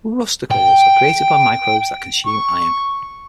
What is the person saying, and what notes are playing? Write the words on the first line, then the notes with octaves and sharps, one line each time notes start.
Rusticles are created by microbes that consume iron.
G5
C#6